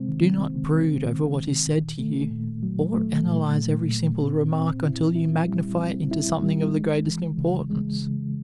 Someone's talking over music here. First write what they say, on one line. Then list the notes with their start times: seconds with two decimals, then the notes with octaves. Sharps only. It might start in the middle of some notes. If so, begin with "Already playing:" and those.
Do not brood over what is said to you, or analyze every simple remark until you magnify it into something of the greatest importance.
Already playing: C3 G#3 C4
0.09 D#3
0.40 C4
0.72 C4
1.04 D#3
1.35 D#3
1.67 A#2
1.99 A3
2.31 A#2
2.63 F#3
2.94 A3
3.26 A#2
3.57 A#2
3.89 A#2
4.21 C4
4.53 C4
4.84 E4
5.15 E4
5.47 G3
5.79 C4
6.11 E4
6.42 G3
6.74 G#3
7.06 E3
7.38 C#3
7.70 G#3
8.01 C#3